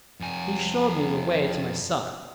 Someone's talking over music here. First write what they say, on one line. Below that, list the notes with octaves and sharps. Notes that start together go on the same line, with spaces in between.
He showed me the way to my son.
F2 G#5